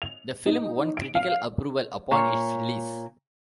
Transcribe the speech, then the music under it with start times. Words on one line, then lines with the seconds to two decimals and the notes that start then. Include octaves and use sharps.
The film won critical approval upon its release.
0.02 F7
0.46 D#4
0.97 D7
1.15 F5
2.11 A#2 C#5